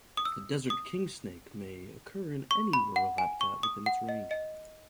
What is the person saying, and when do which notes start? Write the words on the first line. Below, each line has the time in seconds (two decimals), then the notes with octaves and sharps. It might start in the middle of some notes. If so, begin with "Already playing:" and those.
The desert kingsnake may occur in any rural habitat within its range.
0.17 D#6
0.25 E6
0.70 D#6
2.51 C#6
2.73 B5
2.96 F#5
3.18 G#5
3.41 C#6
3.63 D#6
3.86 F#5
4.09 D#5
4.31 D#5